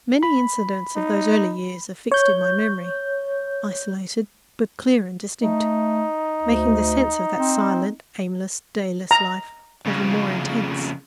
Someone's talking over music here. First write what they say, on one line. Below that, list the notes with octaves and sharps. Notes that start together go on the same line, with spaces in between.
Many incidents of those early years are fixed in my memory, isolated, but clear and distinct, making the sense of that silent, aimless, dayless life all the more intense.
B5
D#4
C#5 G6
A3 D#4
D2
C4
A#5
F2 C#3